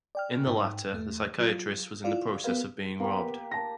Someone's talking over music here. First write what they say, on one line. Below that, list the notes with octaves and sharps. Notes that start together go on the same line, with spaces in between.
In the latter, the psychiatrist was in the process of being robbed.
D5 G5 F6
G#2 D#4 G5
E2 A3
F#3 F4
E4 F4 D5 F5
B3 G4 A#4 B4 F5
A#3 B3 G4 A#4
A5 A#6